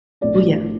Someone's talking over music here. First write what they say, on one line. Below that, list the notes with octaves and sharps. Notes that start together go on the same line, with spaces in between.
Ooh, yeah.
B1 A2 F3 A3 D4 D5